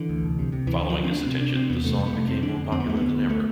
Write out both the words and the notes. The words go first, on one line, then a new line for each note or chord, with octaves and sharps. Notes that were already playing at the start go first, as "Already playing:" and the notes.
Following this attention, the song became more popular than ever.
Already playing: D3 E3
D2
C2
C3
C3
D2 E3
D3
F3
D3
C4
D2 D4
C3 C4
C3 D4
C3 C4
E2 B3
C3 A3
F2 G3
B3
C3 A3
F2 C4
D3 D4
F2
F2 C4
B3
D2 A3
D3 B3
D2
A3